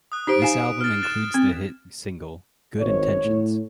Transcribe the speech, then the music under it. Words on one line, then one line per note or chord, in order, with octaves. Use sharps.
This album includes the hit single "Good Intentions".
D#6 F#6
D#4 G4 C5 B6 D7
F5 G#5 C7 E7
F6 A6
F#6 A6 E7
C4
G#1 C#5
A2